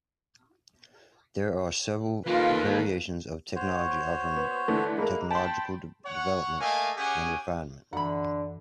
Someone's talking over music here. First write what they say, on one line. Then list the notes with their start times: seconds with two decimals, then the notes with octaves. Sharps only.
There are several variations of the technology offering technological development and refinement.
2.26 D#3 A#3 F4 A4 B4
3.56 F#4 C5 C#5
4.36 B3
4.68 D3 E3 A3
4.98 G#3 A#3 E4 A#4
5.31 G5 A5 B5 C6
6.05 C#5 F#5
6.59 A3 A#3 D#5 F5 G#5
6.97 C#4 G4 G#4 F#5 G#5
7.93 F#2 D3 E3 F#5 B5